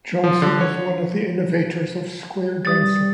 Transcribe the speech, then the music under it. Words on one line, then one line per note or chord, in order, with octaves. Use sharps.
Johnson was one of the innovators of square dancing.
F3
D3
C#5
G3 D#6 A6